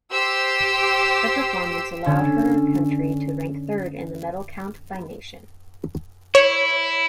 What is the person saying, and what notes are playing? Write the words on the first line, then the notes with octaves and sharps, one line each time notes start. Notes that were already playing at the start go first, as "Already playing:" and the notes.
Her performance allowed her country to rank third in the medal count by nation.
G4 C5 E6
D3 C#4
E4 C#5